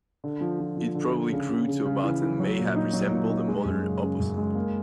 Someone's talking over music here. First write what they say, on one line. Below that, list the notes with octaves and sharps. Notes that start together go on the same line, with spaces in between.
It probably grew to about and may have resembled a modern opossum.
D3
F3
F3
F3
D3
D3
C#3
C#3
C#3
C#3
E3
E3
F#3
A#2
D#4
F#3
A#2
D#4
G#3
F#2
C#3
C#3
F#2
G#3
A#3